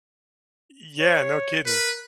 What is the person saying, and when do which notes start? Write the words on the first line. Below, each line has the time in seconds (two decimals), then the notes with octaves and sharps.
Yeah, no kidding.
1.00 C#5
1.66 A#4 B4